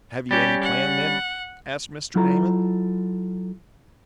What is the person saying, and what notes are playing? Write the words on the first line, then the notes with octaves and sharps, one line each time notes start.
"Have you any plan, then?" asked Mr. Damon.
G3 C#4 G4
F#5
F#3 E4 F4 A4 A#5